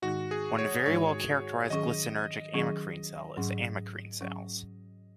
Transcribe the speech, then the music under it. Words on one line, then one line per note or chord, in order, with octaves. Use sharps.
One very well characterized glycinergic amacrine cell is the Amacrine cells.
G#2 D#3 G#3 D#4 F#4
G#4
C#5
G#2 D#3 G#3 D#4 C#5
D#3 F#3 C#4 G#4 D#5
D#3 F#3 C#4 G#4
G#2 F#3 C#4
G#2 F#3 C#4